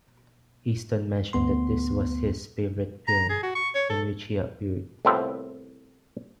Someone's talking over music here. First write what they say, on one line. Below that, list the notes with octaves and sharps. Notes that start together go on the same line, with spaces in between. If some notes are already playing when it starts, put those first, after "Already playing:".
Heston mentioned that this was his favorite film in which he appeared.
D2 B3 C6
A#5
G#4
F#4
C#6
C#5
A4
C2 A2 B3 C4 F4 E5